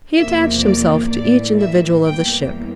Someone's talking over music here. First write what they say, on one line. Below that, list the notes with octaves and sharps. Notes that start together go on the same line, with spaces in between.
He attached himself to each individual of the ship.
E2 C3 F3 A#3 E5
D5
A2 E3 A#3 D5
E5
E2 E3 G3 A#3 G5